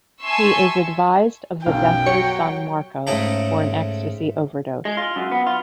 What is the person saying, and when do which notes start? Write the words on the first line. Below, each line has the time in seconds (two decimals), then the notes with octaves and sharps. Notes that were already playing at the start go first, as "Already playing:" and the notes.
He is advised of the death of his son Marco for an Ecstasy overdose.
0.23 E5 G#5 A5 C6 C#6 E6
1.66 B1 F#2 F5 G5
2.06 F#3 F#4 G4 C#5 C#7
3.07 G#2 C#3 A3 A4 G5 A#5
4.85 G#3
4.97 F4
5.16 F#2
5.32 B3
5.47 F4